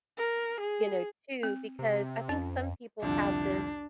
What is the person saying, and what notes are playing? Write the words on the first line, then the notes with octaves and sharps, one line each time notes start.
you know, too, because I think some people have this,
A#4
G#4
C4
C3
F2 C#4
C2 F2 D3 D4